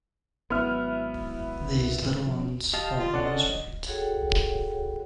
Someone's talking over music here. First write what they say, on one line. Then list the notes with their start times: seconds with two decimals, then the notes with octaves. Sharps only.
These little ones are always right!
0.50 G#1 F#3 B3 E4 F6
1.71 C2 D#3
2.02 G#2 D#3
2.26 F3 C#4
2.73 G4 D#5 F5 A5
2.99 F4
3.14 C#4 D4 A4 D5 F#5
3.25 D#5
3.87 F#4 G#4 A4 C#5 F#5 G5